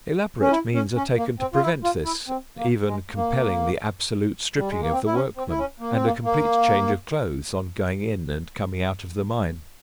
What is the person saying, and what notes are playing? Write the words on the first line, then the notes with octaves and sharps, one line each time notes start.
Elaborate means are taken to prevent this, even compelling the absolute stripping of the workman, and a complete change of clothes on going in and coming out of the mine.
C#4
E4
C#4
C#4
A#3
C4
F4
E4
F4
E4
C4
A#3
G#3
A#3
G3
G#3
A#3
C4
E4
C#4
C4
E4
C#4
A#3
C4
A#3
A#3